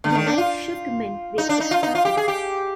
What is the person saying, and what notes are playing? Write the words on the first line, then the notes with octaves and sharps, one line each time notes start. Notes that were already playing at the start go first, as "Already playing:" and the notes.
The night shift men rate extra pay.
D3
D#3
D4
F4
D#4
D4
D#4
F4
D#4
F4
G4
G#4
G4